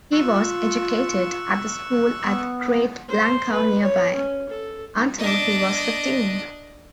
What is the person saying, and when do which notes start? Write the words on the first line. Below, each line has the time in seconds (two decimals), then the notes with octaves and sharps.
He was educated at the school at Great Blencow nearby, until he was fifteen.
0.12 F4 C#6 E6 F#6
2.21 B3
3.08 C5
3.52 B4
3.82 C#5
4.14 C#4
4.49 A4
5.19 D4 D#5